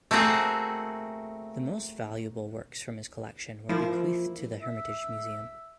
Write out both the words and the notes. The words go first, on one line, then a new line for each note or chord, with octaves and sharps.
The most valuable works from his collection were bequeathed to the Hermitage Museum.
A3 A#3 C4 F#4 G#4
F3 A#3 E4
E5